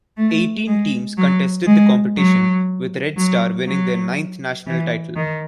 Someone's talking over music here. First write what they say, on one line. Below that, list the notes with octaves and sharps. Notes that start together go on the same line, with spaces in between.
Eighteen teams contested the competition, with Red Star winning their ninth national title.
A3
G#3
F#3
G#3
F#3
F#3
F#3
E3
D#3